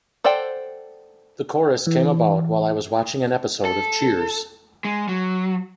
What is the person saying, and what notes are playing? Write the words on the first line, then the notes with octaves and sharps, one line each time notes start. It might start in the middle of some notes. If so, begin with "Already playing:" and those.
The chorus came about while I was watching an episode of "Cheers".
A4 C5 D5 F#5 G5
E3
A4
G#3
F#3